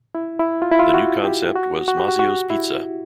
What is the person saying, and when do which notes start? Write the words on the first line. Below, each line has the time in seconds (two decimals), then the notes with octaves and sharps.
That new concept was Mazzio's Pizza.
0.15 E4
0.39 E4
0.62 F4
0.71 E4
0.79 F4
0.94 F#4
1.25 G4
1.56 F#4
1.88 F#4
1.97 G4
2.08 F#4
2.19 F#4
2.50 E4